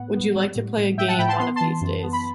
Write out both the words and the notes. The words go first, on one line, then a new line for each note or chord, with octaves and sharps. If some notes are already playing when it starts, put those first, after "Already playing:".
Would you like to play a game one of these days?
Already playing: A2 B3 F#5
B3
G3
A2
A2
A2 E5 G5
F#5 A5
A2 G5 B5
A5 C6
B3 C6
E3 A5 C6
F#2
B3
B5